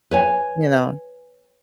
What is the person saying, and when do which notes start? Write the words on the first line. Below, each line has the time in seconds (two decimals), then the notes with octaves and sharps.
you know,
0.11 B4 C#5 G#5